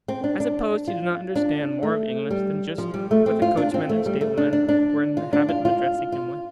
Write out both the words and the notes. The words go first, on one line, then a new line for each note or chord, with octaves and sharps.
I suppose he did not understand more of English than just what the coachman and stableman were in the habit of addressing him with.
C4
D4
D4
F4
D4
A3
G3
F3
G3
A3
C4
F4
D4
C4
A3
G3
A3
D4
D4
D4
F4
D4
F4
F4
F4